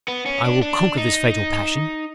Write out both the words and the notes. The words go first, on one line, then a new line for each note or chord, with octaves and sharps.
I will conquer this fatal passion.
B3
C#4
D4
D4
D#4